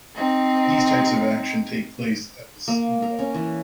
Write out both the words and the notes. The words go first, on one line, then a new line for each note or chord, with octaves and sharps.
These types of action take place at the "scene level".
C4 D#4
A#3
A#4
C#4
E3